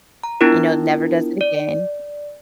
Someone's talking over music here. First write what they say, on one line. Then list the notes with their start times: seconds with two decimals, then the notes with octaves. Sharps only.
you know, never does it again.
0.24 A#5
0.41 B3 D4 E4 F4 A#4
1.41 D5